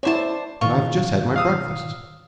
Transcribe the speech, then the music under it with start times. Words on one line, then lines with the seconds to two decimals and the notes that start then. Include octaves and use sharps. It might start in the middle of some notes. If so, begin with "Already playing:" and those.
And I've just had my breakfast.
0.03 D4 E4 C5 C#5 A5
0.61 G#2 B2 D#3 F4 C#6
1.36 F5 D#6 E6